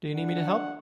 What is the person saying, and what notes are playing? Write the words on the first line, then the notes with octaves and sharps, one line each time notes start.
Do you need me to help?
D4 F#5